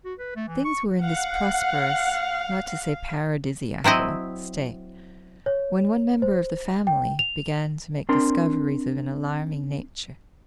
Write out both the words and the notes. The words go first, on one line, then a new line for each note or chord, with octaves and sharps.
Things were in this prosperous, not to say paradisiacal, state, when one member of the family began to make discoveries of an alarming nature.
F#4
B4
A3
E3
C#6
F5 F#5
F#3 C4 E4 D#5
C#5
C5
G5
F7
C4 D4 A#4 C6